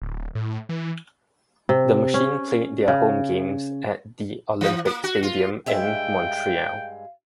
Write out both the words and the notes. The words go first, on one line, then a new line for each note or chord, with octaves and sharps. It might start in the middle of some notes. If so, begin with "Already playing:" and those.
The Machine played their home games at the Olympic Stadium in Montreal.
D1
A2
E3
C3
C#4
C#3
E3
A#3
F#4
F4
G2 G#3 E5 F5 G5